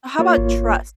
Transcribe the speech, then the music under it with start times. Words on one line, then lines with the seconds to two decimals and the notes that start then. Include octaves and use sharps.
How about trust?
0.19 A#3 F4 C#5
0.38 G#1